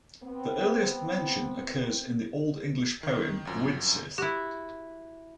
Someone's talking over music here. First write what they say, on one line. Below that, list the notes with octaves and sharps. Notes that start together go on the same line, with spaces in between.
The earliest mention occurs in the Old English poem "Widsith".
B3 C4
D#3
G1 F#2 F3
E4 F#4 G4